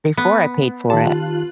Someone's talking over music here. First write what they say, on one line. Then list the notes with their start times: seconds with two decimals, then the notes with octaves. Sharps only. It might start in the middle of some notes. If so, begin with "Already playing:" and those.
before I paid for it.
0.17 B3
0.90 D#3 F4 G4 A5 F#6